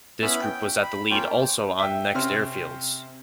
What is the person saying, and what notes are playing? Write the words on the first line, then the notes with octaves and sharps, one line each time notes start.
This group was at the lead also on next airfields.
B3 C#4 E4 B5
G5
B5
A#3 C#4 F4 G5
E5 G5
C3 C4 C#4 C5 F6